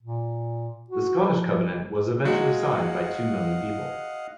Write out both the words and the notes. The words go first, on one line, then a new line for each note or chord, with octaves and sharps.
The Scottish Covenant "was eventually signed by two million people".
A#2
F#4
F3
F#3 G#3 D#5 F5 F#5